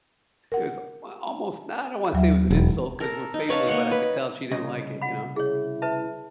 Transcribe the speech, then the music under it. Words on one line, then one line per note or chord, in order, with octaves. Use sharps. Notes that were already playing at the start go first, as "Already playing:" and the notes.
is my almost, and I don't wanna say it was an insult 'cause we're family, but I could tell she didn't like it, you know.
A#4 F#5
D#2 F#3 E5
E1
A4 A#4
D#4
B4 C#5 F5 A5
A#3 C#5 D#5 F#5
B4
C2 C#3 D#5
F#5 B5
E4 G#4 C#5
B4 E5 A5